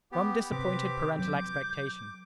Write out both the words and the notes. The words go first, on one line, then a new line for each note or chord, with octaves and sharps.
Rum disappointed parental expectation.
B3 G4 D6
C3 C4 G4 B4 D6
F#3 D6 G6